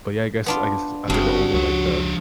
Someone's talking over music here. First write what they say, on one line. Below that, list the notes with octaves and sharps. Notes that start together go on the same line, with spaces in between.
But, yeah, I guess I guess as I get older, like, the
B3 D4 F4
F#1 G2 C#3 C4 F#4 D5
C#2 F3 C#5